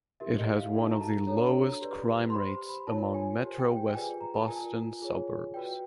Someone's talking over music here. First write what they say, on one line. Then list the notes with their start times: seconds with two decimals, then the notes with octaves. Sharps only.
It has one of the lowest crime rates among Metro-west Boston suburbs.
0.20 E4 G4 A#4 E5
0.38 D#5
0.56 F5
0.74 D#4 F#4 A4 D5
0.91 A#5
1.01 A5
1.27 D4 F#4 A4 C#5 A#5
1.80 G4 B4 D5
2.30 C6
2.34 G4 C5 B5
2.69 B5
2.87 F4 A#4 C#5 A5
3.14 G#5
3.40 G4 C5
3.58 G5
3.76 G5
3.93 F4 G#4 B4 D5 G#5
4.21 A#5
4.37 A5
4.47 F4 A#4 D5 G#5
5.00 F4 G#4 C#5
5.54 F#4 B4 D5 G5